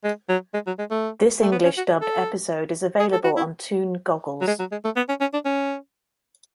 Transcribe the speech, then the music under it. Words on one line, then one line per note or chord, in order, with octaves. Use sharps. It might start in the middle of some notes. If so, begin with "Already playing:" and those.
This English dubbed episode is available on Toon Goggles.
G#3
F#3
G#3
F#3
G#3
A3
A3
B3
C#4
F#4
A4
G#4
A4
F#4
E4
F#3
G#3
F#3
G#3
A3
B3
C#4
C#4
D4
C#4